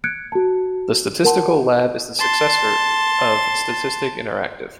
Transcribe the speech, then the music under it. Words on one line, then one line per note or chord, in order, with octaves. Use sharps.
The Statistical Lab is the successor of Statistik interaktiv!
F#6 G#6 C#7 D7
F#4 A5
A#4 F#5 A5 C6
A5 C6